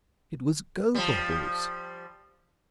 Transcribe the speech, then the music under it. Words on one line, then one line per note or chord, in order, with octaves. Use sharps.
"It was Gobobbles."
F3 G3